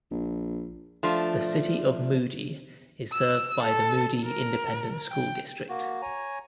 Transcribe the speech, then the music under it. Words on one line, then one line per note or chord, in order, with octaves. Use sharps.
The City of Moody is served by the Moody Independent School District.
A#1
F3 A3 D4
E6
A4
A#4
G5
A#3 F#4
C#5 G#5 A#5